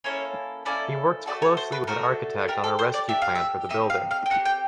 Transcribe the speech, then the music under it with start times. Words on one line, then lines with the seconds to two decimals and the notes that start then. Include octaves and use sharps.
He worked closely with an architect on a rescue plan for the building.
0.04 A#3 C#4 E4 A4 C#5
0.65 A#3 C#4 E4 A4 D5
1.26 A3 D4 F#4 A4 D5
1.42 C#5
1.57 C5
1.72 B4
1.87 A3 D4 F#4 A4 A#4
2.48 D4 G4 A#4
2.64 A4
2.79 C5
2.94 D5
3.08 D4 G4 E5
3.22 F5
3.35 E5
3.69 C4 D#4 G4 E5
3.90 F5
4.11 F5
4.26 G5
4.30 C4 D#4 G4 F#5
4.45 G5